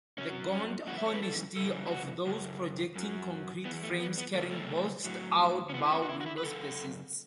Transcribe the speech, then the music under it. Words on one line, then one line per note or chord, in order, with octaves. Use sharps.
The gaunt honesty of those projecting concrete frames carrying boxed-out bow windows persists.
F#2 F#3 C#4
C#4
F#2 C#3 E3 F#4
E5
C#5
B4
A4
F#2 C#3 E3 A4
E4
F#4
F#2 C#3
F#2 F#3
E2 E3 B3
A3
B3
B3
E2 C#3 F#3 A3
A3
A2 F#3
C#4
E2 E3 B3
E4
C#4
F#4
E4
F#4
E4
B4
F#2 C#3 A4